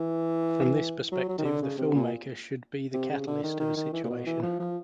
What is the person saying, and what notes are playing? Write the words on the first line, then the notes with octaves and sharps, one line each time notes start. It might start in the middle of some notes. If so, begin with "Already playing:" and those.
From this perspective, the filmmaker should be the catalyst of a situation.
Already playing: E3
F#3
F#3
D#3
D3
C#3
C3
A#2
C3
C#3
D3
D#3
D#3
D#3
E3
A#2
B2
E3
F3
F3